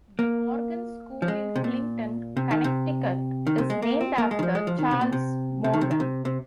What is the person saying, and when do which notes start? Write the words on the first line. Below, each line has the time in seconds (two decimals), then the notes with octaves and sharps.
The Morgan School in Clinton, Connecticut is named after Charles Morgan.
0.19 A#3
1.22 F3
1.28 G#3
1.56 C3
1.64 A#2
2.37 C3
2.51 D#3
2.64 C3
3.47 D#3
3.58 C3
3.70 G#3
3.82 A#3
4.01 C4
4.18 A#3
4.31 G#3
4.39 D#3
4.43 F3
4.55 G#3
4.67 F3
4.79 D#3
4.91 C3
5.01 A#2
5.12 C3
5.64 C3
5.73 D#3
5.81 C3
5.91 D#3
6.00 C3
6.25 C3